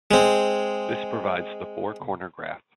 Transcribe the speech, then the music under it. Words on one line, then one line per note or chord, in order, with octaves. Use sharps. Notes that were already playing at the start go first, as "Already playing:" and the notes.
This provides the four corner graph.
G#3 C4